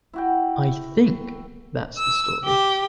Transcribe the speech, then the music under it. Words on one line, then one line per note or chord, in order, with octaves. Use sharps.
I "think" that's the story.
E4 F#4 G5
E6
G4